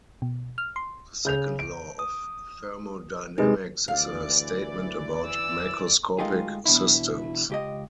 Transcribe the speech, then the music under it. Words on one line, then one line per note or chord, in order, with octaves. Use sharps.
The second law of thermodynamics is a statement about macroscopic systems.
B2
F6
C6
C#3 G6 F7
D7
D#6
C3 G#3 D#4 G#4 B4
D2 E3 D5 F5
E6
G#3 A3 D#4 F4 G4 G#4
E2 B2 E3 D4 E4
C#2 G4 D#5